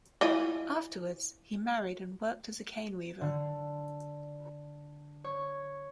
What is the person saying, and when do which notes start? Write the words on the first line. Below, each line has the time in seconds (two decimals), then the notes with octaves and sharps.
Afterwards, he married and worked as a cane weaver.
0.21 E3 F4 D#5
3.21 D3
5.24 C#5